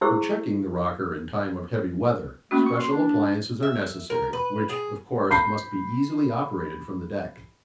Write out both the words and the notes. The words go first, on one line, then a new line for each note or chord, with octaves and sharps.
For checking the rocker in time of heavy weather special appliances are necessary, which, of course, must be easily operated from the deck.
E4 G#4 C5 C#6 E6
A3 A#3 C#4 F#4
C#6
C6
D4
E5
A#4
B4
G#4
B5 G6 C7